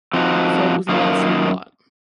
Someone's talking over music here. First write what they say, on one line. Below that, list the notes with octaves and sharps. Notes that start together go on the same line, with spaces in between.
So it was a lasting blot.
F3 C4 D#4 F#4
F#2 D#3 A#3 F4